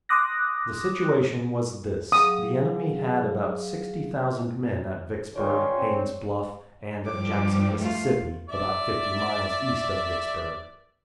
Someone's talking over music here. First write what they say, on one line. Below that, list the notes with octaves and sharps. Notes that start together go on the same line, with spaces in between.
The situation was this: The enemy had about sixty thousand men at Vicksburg, Haines' Bluff, and at Jackson, Mississippi, about fifty miles east of Vicksburg.
C6 D6 D#6 F#6 A#6
F#3 G#4 F5 D#6
D#3 C#4 F4 C#5 D5 G5 C6
C4
G2 F3 G3 D6
A3 F4
D5 E5